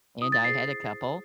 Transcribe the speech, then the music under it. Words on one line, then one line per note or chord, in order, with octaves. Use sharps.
and I had a couple,
E4 D#6
A6
G#4 C5 C7